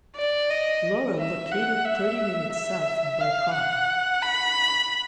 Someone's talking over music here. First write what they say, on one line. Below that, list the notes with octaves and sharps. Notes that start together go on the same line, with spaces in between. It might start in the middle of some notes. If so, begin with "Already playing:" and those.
Laurel located thirty minutes south by car.
D5
D#5
E5
F#5
E5
E5
F5
F#5
B5